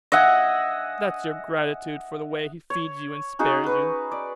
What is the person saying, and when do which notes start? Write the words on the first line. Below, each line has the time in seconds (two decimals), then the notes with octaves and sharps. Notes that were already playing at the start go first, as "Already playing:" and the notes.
That's your gratitude for the way he feeds you and spares you!
0.12 D#5 E5 F#5 G#5
2.70 C#5
3.39 C#4 D#4 F#4 G#4
3.64 F#4 B4
4.12 D5